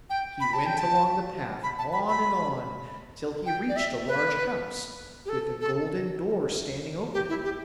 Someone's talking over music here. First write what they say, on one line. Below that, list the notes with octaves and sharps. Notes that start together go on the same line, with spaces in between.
He went along the path, on and on, till he reached a large house, with a golden door standing open.
G5
B5
A5
G5
A5
B5
A5
B5
B5
G5
D5
E5
B4
G4
A4
A4
G4
E4
G4